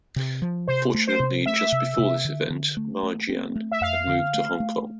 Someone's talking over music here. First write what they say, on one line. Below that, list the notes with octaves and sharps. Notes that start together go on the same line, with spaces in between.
Fortunately, just before this event, Ma Jian had moved to Hong Kong.
C3
F3
C3 C5
A3
C5
C3
A3 E5
C3
C3
D3
D3
A3
A3
C4
A3
E5
F2 F5
D3
A3
A3